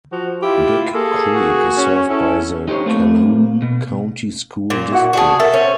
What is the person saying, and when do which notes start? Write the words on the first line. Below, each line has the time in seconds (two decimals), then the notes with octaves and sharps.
Big Creek is served by the Calhoun County School District.
0.12 F3 F#4
0.42 E4 F4 G4
0.94 A#3 G#4 A4
1.35 F#4
1.78 C#4
2.10 C#4 E4 A4
2.68 D#4 G4 A4 C5 C#5
2.86 A3 A#3 C4
3.62 B2
4.70 A#2
4.91 E4 F#4 F#5
5.13 F#4 G#4 D5 G5 A5
5.40 A4 A#4 E5
5.54 C#4 C5